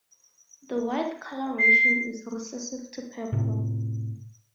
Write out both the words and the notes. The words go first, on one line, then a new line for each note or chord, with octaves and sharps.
The white coloration is recessive to purple.
C7
A2 C3